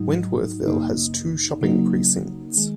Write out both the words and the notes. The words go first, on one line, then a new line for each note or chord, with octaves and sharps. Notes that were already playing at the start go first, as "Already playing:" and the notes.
Wentworthville has two shopping precincts.
Already playing: G#2 F#3 D#4
F#2 C#3 A#3 D#4
C#3 F#3 A#3 D#4
D#3 G#3